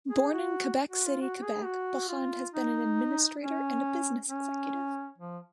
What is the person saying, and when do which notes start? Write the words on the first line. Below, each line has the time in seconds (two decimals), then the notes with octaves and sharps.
Born in Quebec City, Quebec, Bachand has been an administrator, and a business executive.
0.10 G#4
0.33 F#4
0.91 F#4
1.06 F4
1.21 F#4
1.37 F#4
1.42 G#4
1.64 F#4
2.09 F4
2.54 D#4
3.42 C#4
4.30 C#4
5.18 F3